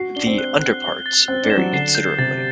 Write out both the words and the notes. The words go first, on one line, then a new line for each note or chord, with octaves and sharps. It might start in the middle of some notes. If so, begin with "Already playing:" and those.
The underparts vary considerably.
Already playing: F#4 C7
D4 G7
C4
F#6
F#6
G7
A6
C4 F#6
D4
E7
F#3
D3 C7
G6
C3 A6